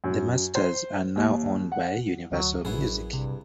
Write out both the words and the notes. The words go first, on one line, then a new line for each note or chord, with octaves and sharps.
The masters are now owned by Universal Music.
F#2
C5
D#2
F#5
D2 F#3
A1 F#2 B3 E4 G#4
G2 C3